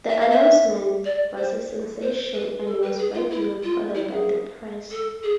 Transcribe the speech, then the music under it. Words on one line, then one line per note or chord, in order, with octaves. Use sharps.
The announcement was a sensation and was widely reported by the press.
E5
F5
E5
D5
C5
C5
B4
A4
B4
G#4
F4
E4
F4
E4
G#4
A4
G#4